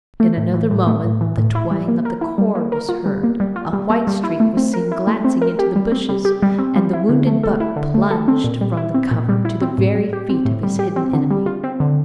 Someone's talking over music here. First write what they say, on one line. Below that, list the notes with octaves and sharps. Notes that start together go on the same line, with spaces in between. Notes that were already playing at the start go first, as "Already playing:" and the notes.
In another moment the twang of the cord was heard, a white streak was seen glancing into the bushes, and the wounded buck plunged from the cover, to the very feet of his hidden enemy.
A3
A2
E3
A2
A3
A2
E3
A2
E4
G3
A#3
A#4
E4
G3
A#3
A#4
F4
G3
A#3
G3
F4
G3
A#3
G3
E4
A3
C4
A#4
E4
A3
C4
A#4
G4
G3
C4
G3
G4
G3
C4
G3
E4
D3
A3
A4
E4
D3
A3
A4
C4
A#2
G3
E4
C4
A#2
G3
E4
C4
A2
G3
G4
C4
A2
G3
G4
C4
D3
G3
F4
C4
D3